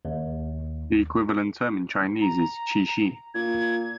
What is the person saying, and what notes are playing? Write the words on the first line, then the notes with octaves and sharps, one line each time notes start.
The equivalent term in Chinese is "cishi".
D#2
A#5
A#2 G#6